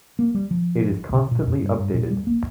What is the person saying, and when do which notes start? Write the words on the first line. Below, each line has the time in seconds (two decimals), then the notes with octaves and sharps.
It is constantly updated.
0.19 A#3
0.34 G3
0.51 F3
1.14 C3
1.31 A#2
1.47 F2
1.62 G2
1.78 G2
1.94 A#2
2.11 G3
2.27 A#3